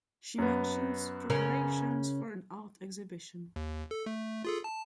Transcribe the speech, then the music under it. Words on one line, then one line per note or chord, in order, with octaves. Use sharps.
She mentions preparations for an art exhibition.
F#2 B3
C#3 C#4 A#4
D#2
A4
A3
F4 G#4 A4
A5